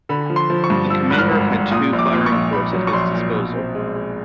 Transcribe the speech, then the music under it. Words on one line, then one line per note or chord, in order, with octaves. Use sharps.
The commander had two firing ports at his disposal.
D3 B5
F3
C6
F3
C#6
G2
F3 E6
G#1 F#6
F6
G#1
G#1
A#2 D#6
A#1
D6
A#2
C#6
A#1
A#1 B5
F#3
C#6
A#1 C6
A#2
B2
C4
G#3
G#3